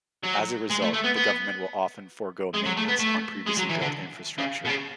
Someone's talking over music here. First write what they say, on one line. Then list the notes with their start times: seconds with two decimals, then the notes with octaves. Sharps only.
As a result, the government will often forgo maintenance on previously built infrastructure.
0.23 F#3
0.70 G#3
0.82 A3
0.93 A3
1.04 B3
1.16 B3
2.54 G#3
2.66 F#3
2.77 A3
2.88 B3
3.00 A3
3.46 G#3
3.57 F#3
3.69 E3
3.81 D3
4.38 C#3
4.65 B2
4.69 C#3